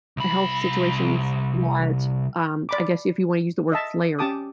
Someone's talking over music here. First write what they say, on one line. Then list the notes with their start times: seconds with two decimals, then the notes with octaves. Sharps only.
health situations that, um, I guess, if you wanna use the word flare
0.17 C2 B5
2.69 D5 B5 D6
3.72 D#5 E5 A5
4.19 C#4 G4 A5 D6 D#6